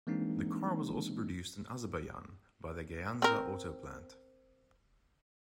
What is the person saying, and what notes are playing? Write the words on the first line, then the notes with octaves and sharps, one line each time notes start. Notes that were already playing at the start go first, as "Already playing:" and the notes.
The car was also produced in Azerbaijan by the Gyandzha Auto Plant.
E3 G#3 A#3 C4 D4 D#4
C4 A#4